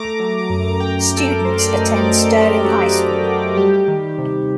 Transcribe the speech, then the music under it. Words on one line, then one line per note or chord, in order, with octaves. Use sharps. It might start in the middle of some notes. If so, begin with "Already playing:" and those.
Students attend Sterling High School.
Already playing: A3 A#5 D6
F#3
F#2
F#3 G5 A#5
F#2
A4
A#4
F#2 C5
D5
F#2 C5 D#5
A#4 D5
F#2
A4 C5
F#3
G4 A#4
F#2 F#4 A4
A3
A3
G3 G4
D#3
C3